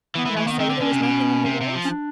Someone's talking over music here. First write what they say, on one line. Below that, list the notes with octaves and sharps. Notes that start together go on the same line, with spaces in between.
Did I say there was nothing on the walls?
E3 B3
E3
G#3
E3 A3
A#3
D#3
B3
D#3 C4
D3
D3 C#4
C3
B2
C3
C3
F3
C#4
D4